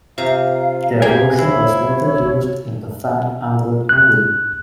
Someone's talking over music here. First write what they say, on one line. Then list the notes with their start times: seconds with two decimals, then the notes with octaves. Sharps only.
Their version was later used in the Fat Albert movie.
0.18 C3 F4 C5 F5 A#5
1.02 A#3 G4 G#4 B4 G5 G#5
1.39 E4 C5 C#5
3.89 F#6